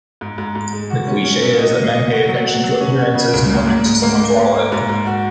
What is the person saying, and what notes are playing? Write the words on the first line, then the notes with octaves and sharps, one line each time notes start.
The cliche is that men pay attention to appearances and women to someone’s wallet.
G#2
G#2
G#2
G#3
F#4
C#4
C#4
F#3
D#5
D#5
D#5
F#4
F#3
F#4
F#3
C#4
F#4
C#3
C#2
A#3
G#2
G#2
A#3
A#3
G#2
A#3
G#2
G#2
F#4